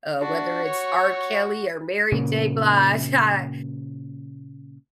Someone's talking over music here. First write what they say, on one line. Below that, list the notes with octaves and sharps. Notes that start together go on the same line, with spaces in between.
uh, whether it's R. Kelly, or Mary J. Blige, I
D4 F#4
C#5
A#2 C#3 A#3